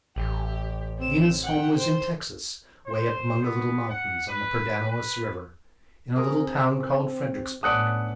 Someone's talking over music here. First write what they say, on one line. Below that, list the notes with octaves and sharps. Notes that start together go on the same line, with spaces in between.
Lena's home was in Texas, away up among the little mountains on the Pedernales River, in a little town called Fredericksburg.
A1 G4
C4 E7
F#5 G5
C5
C5
B3
F#5
B4
B4
C4 G#4 A#4
A2 B3 C#4 D4 D#6 F#6 C#7